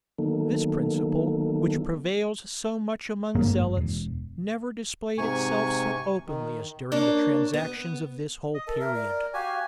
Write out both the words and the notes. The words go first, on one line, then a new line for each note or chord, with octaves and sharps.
This principle, which prevails so much among zealots, never displayed itself so openly as during the transactions of this whole period.
D#3 F#3 A#3 B3 D#4 A4
G#1 G2 G#3 A#3
E1
G#2 C3 G#5 C#6
D#3
A#3 D4 C#5
B3
D#5
A4 A#4
A#4 E5
D5
F#4 G4 F5 G#5